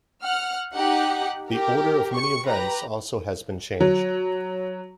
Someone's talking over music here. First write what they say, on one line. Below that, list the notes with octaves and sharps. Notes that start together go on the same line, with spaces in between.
The order of many events also has been changed.
F#5 F6
D#4 G4 F#5
G4 A#4
C#6 C#7
G4 B4 A#5
F#3